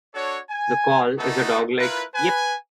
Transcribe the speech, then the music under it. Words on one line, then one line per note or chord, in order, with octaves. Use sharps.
The call is a dog-like "yip".
D4 F#4 A4 C#5
G#5
A3 B3 D4 D#4 F#4 A4
E4 F4 A#4 B4
B4 G#5